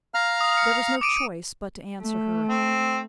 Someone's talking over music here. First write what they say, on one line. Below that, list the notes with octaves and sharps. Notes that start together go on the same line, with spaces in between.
There was no choice but to answer her.
F5 A#5 F6
D#6
C#7
D6 D7 D#7
A3
C4